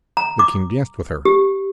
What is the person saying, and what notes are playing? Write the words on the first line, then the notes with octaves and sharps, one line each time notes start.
The king danced with her.
A#5
D6
G4